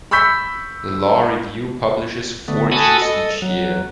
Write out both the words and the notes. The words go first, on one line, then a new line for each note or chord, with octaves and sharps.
The law review publishes four issues each year.
B5 C#6 E6 G6 B6
D3 A3 B3
F#4 A4 G#5 A5 B5 D#6
A4 D#5
F#3